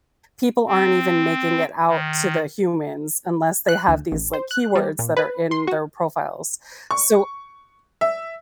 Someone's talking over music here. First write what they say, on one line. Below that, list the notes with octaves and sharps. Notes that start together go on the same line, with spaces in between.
people aren't even making it out to the humans unless they have these like keywords that are in their profiles. So
C4
D#3
F#6
D2
A1
C5
F#6
G3
A#2
B4
C6
F#4
C#6
E5